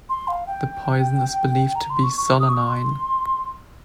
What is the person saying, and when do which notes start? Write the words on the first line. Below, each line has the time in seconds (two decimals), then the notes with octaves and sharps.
The poison is believed to be solanine.
0.09 C6
0.28 F5
0.47 G5
1.75 A#5
1.90 C6
2.03 C#6
2.17 C#6
2.40 D#6
2.49 C#6
2.68 C6